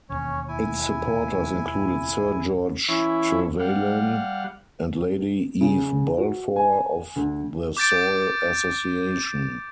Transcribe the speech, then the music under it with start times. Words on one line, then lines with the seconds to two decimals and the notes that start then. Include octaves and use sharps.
Its supporters included Sir George Trevelyan and Lady Eve Balfour of the Soil Association.
0.10 E1 D#2 C#4 C#5
0.48 E4 G#5
2.88 E3 C#4 E4
3.60 G3 F5 F#5
5.61 C#3
6.17 F#4
6.56 G#5
7.16 D2
7.77 D6 G6 A6 D7